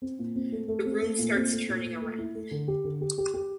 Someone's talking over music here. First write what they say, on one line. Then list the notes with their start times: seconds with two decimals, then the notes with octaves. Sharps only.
The room starts turning around.
0.02 C4
0.19 A#2
0.36 C4
0.52 A3
0.68 A3
0.86 C4
1.01 A3
1.18 A#2
1.35 C4
1.52 A3
1.69 A#2
1.84 A#2
2.01 A3
2.18 E4
2.35 A3
2.51 D3
2.68 G4
2.84 D3
3.01 G4
3.18 G4
3.34 G4